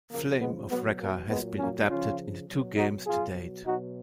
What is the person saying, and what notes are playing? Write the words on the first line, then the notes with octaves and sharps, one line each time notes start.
"Flame of Recca" has been adapted into two games to date.
C#3 F3 A#3
G#3 B3
B2 F#3 G#3 B3
A#3
A#2 F#3 G#3 B3
A#3 C#4
C#3 F3 C#4 F4
B2 F#3
D#4 F#4
B2 F#3 F4 G#4
B2 F#3 D#4 F#4